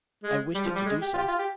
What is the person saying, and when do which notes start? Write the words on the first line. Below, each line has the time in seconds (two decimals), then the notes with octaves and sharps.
"I wished it to do so."
0.23 G#3
0.55 G3
0.65 F3
0.76 G3
0.86 G#3
1.02 G4
1.14 F4
1.17 G4
1.28 F4
1.39 G4